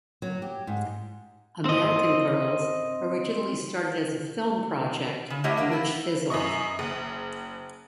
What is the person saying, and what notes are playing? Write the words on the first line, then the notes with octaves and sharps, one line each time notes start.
American Girls originally started as a film project, which fizzled.
F#3
G4
G#2
C4 D#5
C#3
A3 E4 G4 C#5 D#5 F#5
E2 A#3 D4
B3 E4
F#2 E4 D#5 C#6
F#1